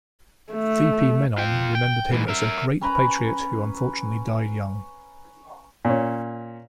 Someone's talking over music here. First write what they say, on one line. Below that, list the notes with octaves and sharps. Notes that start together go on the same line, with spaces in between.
V P Menon remembered him as "Great Patriot who unfortunately died young".
A3
F4 G5
G5
G#2 E3
A#4 E5
C#4 B4 A#5 B5
A#2 C#4